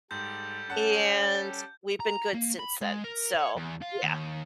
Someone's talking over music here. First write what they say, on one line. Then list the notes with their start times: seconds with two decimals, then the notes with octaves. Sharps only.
and we've been good since then, so, yeah.
0.11 G#2 G3 G4 A4 G6
0.70 C#4 F#5 A5
2.00 A#5
2.34 A#3
2.59 B5
2.82 G#3
3.04 A#4
3.35 C#5
3.56 E2
3.81 F4
4.03 D#2